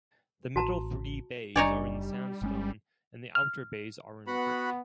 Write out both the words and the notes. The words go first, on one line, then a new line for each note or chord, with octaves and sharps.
The middle three bays are in sandstone and the outer bays are in brick.
A1 F#4 A5 A#5
F#1 G3 D4 D#4 C#5 D5
G1 G#3 C#4
F6
B3 F#4 F#5 B5